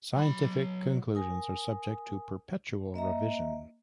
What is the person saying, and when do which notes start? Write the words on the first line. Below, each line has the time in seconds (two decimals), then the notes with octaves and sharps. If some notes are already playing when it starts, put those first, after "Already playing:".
Scientific conclusions are subject to perpetual revision.
0.16 F#3 B5
1.15 A#4 G#5 D#6
2.94 A#3 D#5 E5 A#5